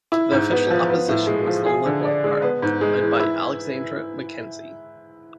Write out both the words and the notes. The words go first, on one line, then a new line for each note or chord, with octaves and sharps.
The Official Opposition was the Liberal Party, led by Alexander Mackenzie.
E4
G#2
B3
F3
B3
A2
G#3
F3
G#4
D3
D4
G#3
B3
G#2
G#3
E3
E4